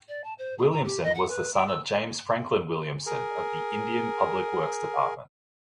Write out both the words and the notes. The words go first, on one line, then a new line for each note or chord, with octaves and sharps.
Williamson was the son of James Franklin Williamson of the Indian Public Works Department.
D5
A5
C5
G#4
A#5
G4
D#5
F#5
B4
G5
E6
G#4 A#4